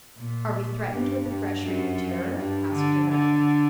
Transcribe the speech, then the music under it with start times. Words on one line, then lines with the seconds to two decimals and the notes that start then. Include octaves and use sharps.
"Are we threatened with a fresh Reign of Terror?" asked another.
0.18 A#2
0.91 G2
1.27 G2
1.64 F#2
2.36 G2
2.74 D3
3.10 D3